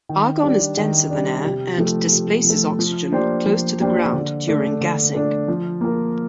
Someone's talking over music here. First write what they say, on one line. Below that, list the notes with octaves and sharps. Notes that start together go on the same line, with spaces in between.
Argon is denser than air and displaces oxygen close to the ground during gassing.
D#3
G3 D4
D#3
G3 D4
C3
F3 A3
C3
F3
A3
F3
A#3 D4 G4 C5
F3
A#3 D4 G4 C5
D3
A3 D4
D3
A3 D4
F3
A#3 F4 A#4